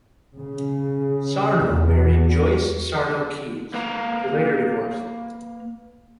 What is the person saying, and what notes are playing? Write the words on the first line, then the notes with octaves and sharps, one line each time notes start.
Sarno married Joyce Sarno Keys; they later divorced.
C#3
E2
A#3 B4 F5 A#5